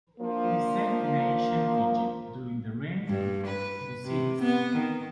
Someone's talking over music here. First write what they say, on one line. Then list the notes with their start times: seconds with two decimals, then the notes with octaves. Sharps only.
It is set in Ancient Egypt during the reign of Busiris.
0.20 F3 A#3 D4
3.08 G2
3.47 B4
4.04 C3
4.42 B3
4.76 D#3